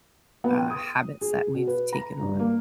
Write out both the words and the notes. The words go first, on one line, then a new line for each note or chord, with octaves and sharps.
uh, habits that we've taken on.
B3
G5
D#6
G#4
B2
B4
A#5
G2
A#3